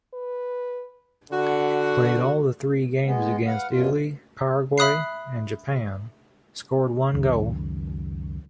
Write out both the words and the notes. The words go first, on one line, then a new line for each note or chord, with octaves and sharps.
Played all the three games against Italy, Paraguay and Japan, scored one goal.
B4
D3 F#4
G#3 B3
B4 F5 F#5
F#2 B2 F4
E5 B5 D#6 F#6 C7
C#2 F#2 D#3